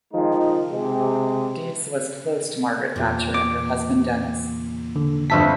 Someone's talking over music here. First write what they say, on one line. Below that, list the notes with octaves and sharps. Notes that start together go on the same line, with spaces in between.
Deedes was close to Margaret Thatcher and her husband Denis.
D#3 F3 G#3 D#4
C3 G#3
E2 A#2
D6
D3
G1 F2 E5 A5 B6